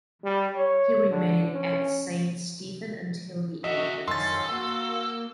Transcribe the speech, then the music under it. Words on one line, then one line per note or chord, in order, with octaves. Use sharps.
He remained at St Stephan until the end of his life.
G3
C#5
D3
C#4
E2 F#4 D#5 E5
F#2 D#3 F3 C#4 A4 C6 A6
A#3 F#4